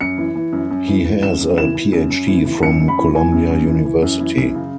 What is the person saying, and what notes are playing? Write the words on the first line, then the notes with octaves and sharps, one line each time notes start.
He has a PhD from Columbia University.
F#2 C#7
E3
E3
F#2
F#2
E3
E3
F#2 E7
F#2
E3 E7
E3
F#2
F#2
E3
E3
F#2 C#7
F#2
B5
E3
E3 G#5
F#2
F#2
E3
E3
F#2
E3
F#2
C#3